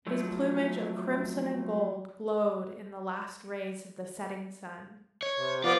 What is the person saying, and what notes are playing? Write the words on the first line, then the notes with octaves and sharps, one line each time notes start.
His plumage of crimson and gold glowed in the last rays of the setting sun.
F3 F#3 A3
C#5
C3
F3 B3 F4 D5